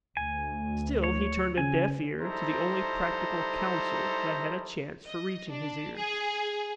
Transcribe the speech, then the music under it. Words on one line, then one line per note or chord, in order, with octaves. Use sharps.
Still he turned a deaf ear to the only practical counsel that had a chance for reaching his ears.
D2 G#5
C#5
C#3 G#5
G3 D#4 E4 A4 C5 A#5
D#5
D4
G#4